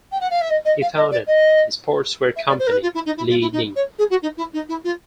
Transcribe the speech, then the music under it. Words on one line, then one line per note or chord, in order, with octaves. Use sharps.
He founded the sportswear company Li-Ning.
G5
F#5
F5
E5
D#5
D#5
F5
D#5
D5
D#5
E5
D5
C5
A#4
B4
F4
E4
D#4
E4
F4
E4
D#4
C#5
G#4
F#4
D#4
E4
D#4
E4
F4